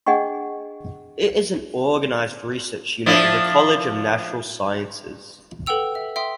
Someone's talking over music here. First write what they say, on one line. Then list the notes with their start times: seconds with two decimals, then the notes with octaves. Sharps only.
It is an organized research unit of the College of Natural Sciences.
0.06 D4 G#4 D#5 F#5 G5 C#6
3.06 F3 D4 E4
5.66 A4 B4 F#5 G5 E6 F7
5.95 E5
6.16 E5 G5 C6 D#6